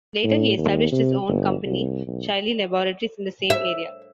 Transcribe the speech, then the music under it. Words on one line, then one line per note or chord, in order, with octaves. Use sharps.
Later he established his own company, Shiley Laboratories, in the same area.
A2
D#2
C3
G1
C2
B1
E5